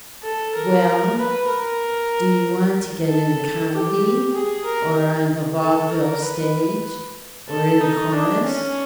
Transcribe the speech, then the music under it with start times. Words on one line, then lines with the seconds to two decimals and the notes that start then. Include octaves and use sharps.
"Well, do you want to get in a comedy or on the vaudeville stage or in the chorus?"
0.23 A4
0.55 A#4
1.18 B4
1.49 A#4
3.07 A4
3.70 G4
4.33 G#4
4.64 A#4
5.60 A4
5.91 A#4
6.22 B4
7.49 A4
7.81 D#4
8.12 D4
8.44 C#4